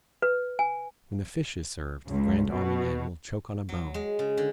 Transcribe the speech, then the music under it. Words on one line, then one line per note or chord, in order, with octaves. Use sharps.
When the fish is served, the Grand Army man will choke on a bone.
B4
G#5
C#2
B2
F#3
G#3
C#3
D3